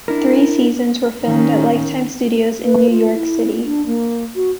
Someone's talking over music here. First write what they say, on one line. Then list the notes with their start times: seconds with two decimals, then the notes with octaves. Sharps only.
Three seasons were filmed at Lifetime Studios in New York City.
0.08 D4 E4 A#4
1.23 D#3 C#4
2.63 B4
2.90 F4
3.14 E4
3.65 D4
3.86 A#3
4.36 F#4